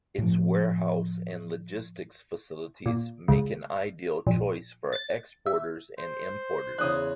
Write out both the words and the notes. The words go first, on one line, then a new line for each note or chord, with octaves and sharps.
Its warehouse and logistics facilities make an ideal choice for exporters and importers.
A2 F3
A#2
C#2
A#1
A6
E5
C5
E2 C#3 D#6 F#6